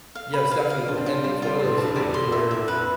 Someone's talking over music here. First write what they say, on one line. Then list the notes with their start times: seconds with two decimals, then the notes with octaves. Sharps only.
Yes, definitely, and it's one of those things where,
0.15 F5
0.34 B5
0.51 F5
0.70 F5
0.88 D4 F4
0.97 C4
1.05 D4 F4
1.24 G3 C5
1.42 F4
1.59 A2 C6
1.73 G2
1.78 A5
1.85 F2
1.96 E2 D5
2.14 C6
2.32 E5
2.51 E5
2.68 F2 B4